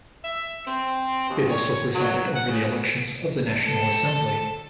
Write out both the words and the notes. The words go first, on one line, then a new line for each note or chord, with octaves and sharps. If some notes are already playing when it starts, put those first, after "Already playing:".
It also presided over the elections of the National Assembly.
E5
C4
D#2
C#5
F#3
F#5
C#3
A4